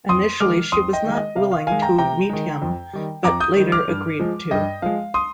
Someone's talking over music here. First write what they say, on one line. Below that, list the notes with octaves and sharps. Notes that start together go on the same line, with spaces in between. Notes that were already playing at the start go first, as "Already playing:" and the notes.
Initially, she was not willing to meet him, but later agreed to.
F2 C6 D#6
D#3 G#3 D6 F6
F2 C6 D#6
D#5 G5
D#3 G#3
D#5
C3 F5
F5
D#3 G#3 F5 G#5
G5 A#5
C3 G5 A#5
D#3 G#3
F2
D#3 G3
F2 A#5 D6
D#6 G6
D#3 G3
D6 F6
G2
F3 G#3
G2 D#5 G5
F3 G#3 F5
C6 D#6